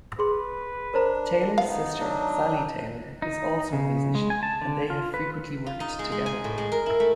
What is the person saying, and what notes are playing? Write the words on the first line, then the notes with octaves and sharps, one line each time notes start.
Taylor's sister, Sally Taylor, is also a musician and they have frequently worked together.
G#4 B4 C6
D4 A#4 C5 A#5
B3 D#4 F5
F#3 D4
D#4
C#3
G#3
G#5
A5
D3
F4
B4
F4
D#4
G#3
G#3
G#5
A2
G#3
A#4
E4
A3